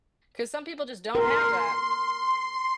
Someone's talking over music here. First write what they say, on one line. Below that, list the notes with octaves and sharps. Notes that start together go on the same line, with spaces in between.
'cause some people, just, don't have that.
A#4 C6